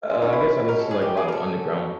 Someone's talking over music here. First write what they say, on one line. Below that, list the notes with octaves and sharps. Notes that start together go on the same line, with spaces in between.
Uh, I guess I listen to, like, a lot of underground
G#3
C#4 D#4
E4
B4
F#4
G#3 A#4
A4
C#4 G#4
G4 B4
F#4 G#4
A#4
G#3 A4
C#4
B4
F#4